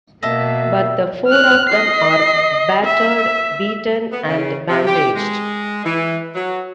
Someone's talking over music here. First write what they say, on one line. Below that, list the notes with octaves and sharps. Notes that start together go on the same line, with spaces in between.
But the four of them are battered, beaten and bandaged.
B2 A#3 D#5 E5 A5
F6 F#6
D#5 C7
E5
B3
C#3
C3
G4
G#3
E3
F#3